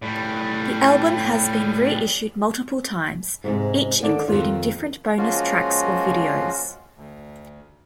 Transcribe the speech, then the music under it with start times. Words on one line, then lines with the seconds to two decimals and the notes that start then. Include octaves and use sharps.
The album has been reiussed multiple times, each including different bonus tracks or videos.
0.02 A2 G3
3.44 G#2 C3 G#3
4.02 D3 D#3 D4 A4 D5
4.28 F2 C3 D#3 F4
5.18 F3 G#3 A#3 C#4 F4 F#4
6.97 D2